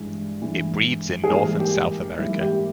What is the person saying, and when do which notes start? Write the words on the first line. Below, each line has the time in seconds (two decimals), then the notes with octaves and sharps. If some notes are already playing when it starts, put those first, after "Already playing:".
It breeds in North and South America.
Already playing: G2 E3 G#3
0.41 G2 E3 G#3
1.24 G#4
1.30 G#2 E3 G3 A#3 A#4
1.60 G4
2.19 G#2 E3 G3 A#3 E4
2.41 G4